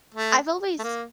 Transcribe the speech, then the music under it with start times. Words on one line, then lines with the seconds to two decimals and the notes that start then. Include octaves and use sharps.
I've always
0.14 A3
0.79 A3
0.83 A#3